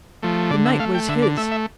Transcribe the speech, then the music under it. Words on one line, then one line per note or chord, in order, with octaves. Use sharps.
The night was his.
F3 A3
D3 D5
E5
A3 F5
G5
D3 E5
D5
A3 E5
E5